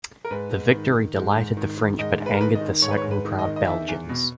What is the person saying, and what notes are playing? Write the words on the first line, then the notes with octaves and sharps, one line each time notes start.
The victory delighted the French but angered the cycling-proud Belgians.
A#4
G#2 B4
G#2
D#3
D#3
G#2
G#2
D#3
D#3
G#2 D#5
G#2
B4
A#4
D#3 B4
D#5
D#3
G#2 C#5
B4
C#5
G#2
B4
D#3
D#5
D#3
D#5
E2 E5
E2
B2